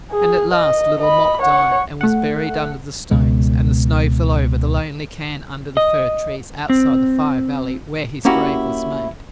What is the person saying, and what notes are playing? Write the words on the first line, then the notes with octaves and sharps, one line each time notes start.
And at last Little Mok died, and was buried under the stones, and the snow fell over the lonely cairn under the fir trees outside the Fire Valley where his grave was made.
G#4
D#5
D#5 B5
C#5 F#5
A3 F#5
C#2 B2 G#3
D#5
C4
A#3 C#4 E4 F#4 G4